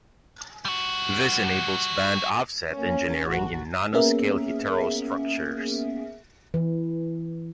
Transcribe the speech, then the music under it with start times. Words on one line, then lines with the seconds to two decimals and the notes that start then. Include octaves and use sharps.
This enables band offset engineering in nanoscale heterostructures.
0.65 G3 F#4
2.73 A#3 C#4
3.24 A1 F#4
3.93 A#3 B3 C#4 G#4 A#4 E5
6.54 E3